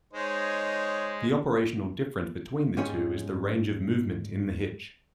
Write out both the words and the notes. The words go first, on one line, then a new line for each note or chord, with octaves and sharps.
The operational difference between the two is the range of movement in the hitch.
G#3 D#4 C5 C#5
G#2 G3 C#4 G#4 C#5